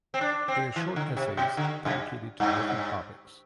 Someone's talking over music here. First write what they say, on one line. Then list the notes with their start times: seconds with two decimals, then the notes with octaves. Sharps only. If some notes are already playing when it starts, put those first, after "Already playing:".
They are short essays dedicated to different topics.
0.14 C4
0.21 D4
0.48 C4
0.76 E3
0.96 D3
1.17 C3
1.37 B2
1.57 D3
1.85 F#2
2.40 G2